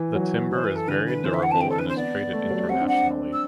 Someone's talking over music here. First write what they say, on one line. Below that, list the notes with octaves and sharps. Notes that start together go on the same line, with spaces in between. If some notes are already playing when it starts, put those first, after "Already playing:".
The timber is very durable and is traded internationally.
Already playing: E3
F#3
E3 C5
B4
A4
D3 B4
B4
E3 C5
D3 E5
F#5
C4 A5
G5
A4
D4 B4
C4 C5
B3 D5
A3
G3
F#3
G3
C4 F#5
D4
F#5
C4
E6